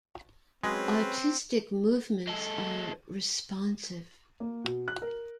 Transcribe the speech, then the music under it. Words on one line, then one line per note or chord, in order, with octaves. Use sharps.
Artistic movements are responsive.
F#3 G#3 C4 C#4 G#4 B4 C5
G#3 A4
A#3
B2
F#6
A#4